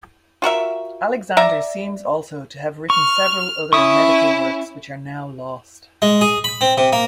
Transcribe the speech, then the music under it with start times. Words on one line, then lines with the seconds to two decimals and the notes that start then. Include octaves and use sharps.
Alexander seems also to have written several other medical works which are now lost.
0.42 F4 F#4 A#4 E5
1.37 D5 E5 A#5
2.90 C#6 F6
3.73 C#4 E4 C#6 D#6
6.02 G#3
6.21 G#4
6.44 B5
6.61 C4
6.78 C3
6.93 A#3